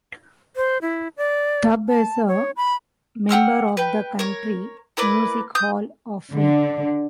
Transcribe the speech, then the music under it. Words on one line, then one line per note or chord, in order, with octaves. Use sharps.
Tubb is a member of the Country Music Hall of Fame.
C5
E4
D5
A5
C#5
B5
G4 F#5 E6 F6
B4 G5
A#4 C#5
E4 A#4 B4 D5
D#6 G6
D3